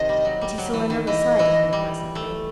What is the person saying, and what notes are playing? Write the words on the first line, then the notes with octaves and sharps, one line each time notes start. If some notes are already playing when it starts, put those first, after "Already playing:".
But he saw another side of him presently.
Already playing: C3 D#3 D#5
G3
F#3
G3
F#3
E3
D#3
E3 D#5
E3
G3
A3